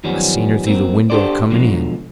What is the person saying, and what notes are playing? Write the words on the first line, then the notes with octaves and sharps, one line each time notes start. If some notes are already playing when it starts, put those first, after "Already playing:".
I seen her through the window a-comin' in.
F#2 D#3 F3 G3 B3 C#4
F#3 A#3 C4
D4 G4 A4 C5 D5
B2 D3 F3 F#3 G#3